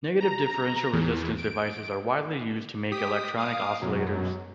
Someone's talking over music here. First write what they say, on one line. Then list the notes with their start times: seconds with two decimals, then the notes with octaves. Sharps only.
Negative differential resistance devices are widely used to make electronic oscillators.
0.21 A#5
0.93 E2
1.38 D7
2.92 G4 D#6 B6 D7
3.38 F5 D#6 D7
3.82 F#2 B2 F#3